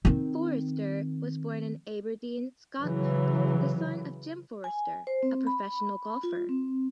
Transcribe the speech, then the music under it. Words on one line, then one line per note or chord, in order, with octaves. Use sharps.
Forrester was born in Aberdeen, Scotland, the son of Jim Forrester a professional golfer.
D#3 C4
C#3 E3 F#3
G#5
C5
C4
B5
F4
C4